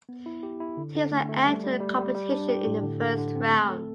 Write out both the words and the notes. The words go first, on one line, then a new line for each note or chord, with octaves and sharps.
Teams that entered the competition in the first round.
B3
E4
G4
E4
D3
D3
A3
A3
G3
G3
G3
G3
G3
D4
G4
A2
D3
D3
D3
C4
A3
A4